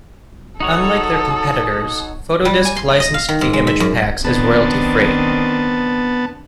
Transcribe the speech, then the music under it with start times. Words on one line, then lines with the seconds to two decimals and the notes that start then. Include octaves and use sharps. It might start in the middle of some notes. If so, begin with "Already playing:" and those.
Unlike their competitors, Photodisc licensed the image packs as Royalty Free.
0.60 D#4 F#4 A4 C#5 D#6
2.45 G3
2.65 G#5
2.76 C6
3.00 D#5
3.14 F5
3.29 D#3
3.41 G#2
3.53 G#3
3.67 E5
3.80 F#2
4.24 D#3 B3 C4 D4 A5